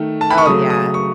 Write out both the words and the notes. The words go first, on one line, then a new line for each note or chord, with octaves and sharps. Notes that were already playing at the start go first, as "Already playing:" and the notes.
Oh, yeah.
Already playing: D#3 A3
A5
B5
C#6
C#3 F#3 A3 D#6
D#6
C#6